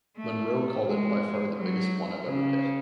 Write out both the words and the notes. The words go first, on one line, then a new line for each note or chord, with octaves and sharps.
Monroe called it by far the biggest one I've ever hit.
A3
G#3
F#3
C#3